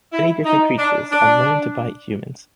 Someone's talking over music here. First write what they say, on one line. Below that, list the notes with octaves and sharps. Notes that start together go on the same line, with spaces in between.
Many different creatures are known to bite humans.
E4
D#4
D4
D4